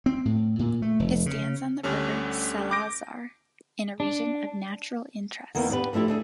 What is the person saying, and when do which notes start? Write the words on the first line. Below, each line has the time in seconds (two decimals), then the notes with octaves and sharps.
It stands on the River Salazar in a region of natural interest.
0.06 C4
0.25 A2
0.59 A#2
0.82 A3
1.00 F1
1.26 C#3
1.83 D2 D3 G3 C#4 A4
2.71 D6 G6 A#6 D7
4.00 D4
5.55 E2 D#3 A#3 B3
5.70 B3 D4 G4 B4
5.93 F3 A3 D4 E4 G4
6.08 A3 D4 G#4